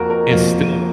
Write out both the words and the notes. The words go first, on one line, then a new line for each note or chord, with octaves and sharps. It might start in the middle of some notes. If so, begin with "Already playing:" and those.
is still
Already playing: F2 F3 A#3 F#4 A#4
A#4
F2 F3 A#3